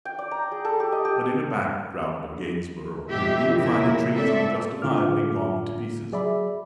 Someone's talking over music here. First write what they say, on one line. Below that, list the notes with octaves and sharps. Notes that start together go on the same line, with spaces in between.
But in a background of Gainsborough you would find the trees unjustifiably gone to pieces.
G5
D5
A#5
G#4
A4
G4
D#5
G4
F2 G#2 B2 F3 G4 E5
C#3 E4 A#4 E5
C4 A4 D5 E5
A2 D3 F4 D6 F6
F#3 G#4 D5 E5 B5